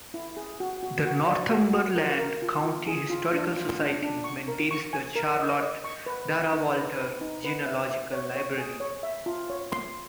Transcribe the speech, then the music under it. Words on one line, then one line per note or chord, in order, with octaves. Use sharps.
The Northumberland County Historical Society maintains the Charlotte Darrah Walter Genealogical Library.
E4
G#4
F#4
F#4
F#4
D5
F#4
F#4
A#4
A#4
F4
F4
G#4
F4
D4
F4
D4
D4
C#6
A#4
C#6
G#5
A#4
D#5
D#5
C#6
B4
B4
D#4
B4
B4
D#4
B4
E5
E5
C#5
C#5
G#4
C#5
E5
F4
C#5
C6